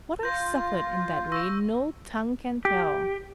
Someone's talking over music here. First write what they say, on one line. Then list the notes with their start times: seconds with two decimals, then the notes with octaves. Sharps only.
What I suffer in that way no tongue can tell.
0.23 F4 G6 A#6
1.32 C#6 E6 A#6
2.65 G4